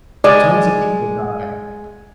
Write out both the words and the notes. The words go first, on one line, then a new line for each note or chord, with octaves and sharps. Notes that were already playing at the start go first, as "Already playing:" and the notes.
tons of people die.
G#3 D5